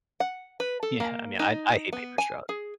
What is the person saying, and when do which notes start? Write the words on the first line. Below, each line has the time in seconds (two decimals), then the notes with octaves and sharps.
Yeah, I mean, I I hate paper straws.
0.20 F#5
0.60 B4
0.83 A4
1.00 A#3
1.39 D#4
1.93 B3
2.18 G#5
2.49 G#4